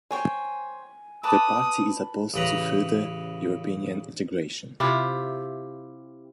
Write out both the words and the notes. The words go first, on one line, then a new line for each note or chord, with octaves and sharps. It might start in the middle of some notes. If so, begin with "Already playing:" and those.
The party is opposed to further European integration.
C5 C#5 G5 G#5
B4 A5 D6 D#6
A1 C#3 B4 A#5
C3 E4 F4 G4